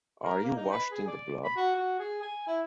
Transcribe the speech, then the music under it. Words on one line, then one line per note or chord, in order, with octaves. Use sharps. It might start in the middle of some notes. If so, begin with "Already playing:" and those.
Are You Washed in the Blood?
A#4
A#3
D#4
B4
G#4
D5
B5
F#4
F#4
G#4
G#5
E4